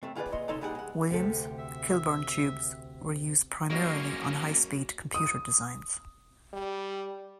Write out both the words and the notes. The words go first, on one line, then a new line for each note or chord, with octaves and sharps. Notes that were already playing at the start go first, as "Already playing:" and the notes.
Williams-Kilburn tubes were used primarily on high-speed computer designs.
F2 A3 C4
D3 F4 G#4 A4 B4 D5
A#2 C#5 D#5 C6
C2 D#4 A4 C#5 C6
A#2 G3 G#3 G#4 A#4 F#5
G#3 F#5
D2 C3 A4
E5
F#3 G#3 A#3 C#4 F#4
D#6
G3